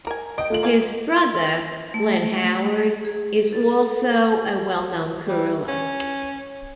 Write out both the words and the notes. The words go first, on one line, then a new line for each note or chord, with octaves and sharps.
His brother, Glenn Howard, is also a well known curler.
A#4 G#5
D#5 G5 D7
A3 F4 F#7
A#3 F5 G#5
A3
G#4
A4
G3
C#4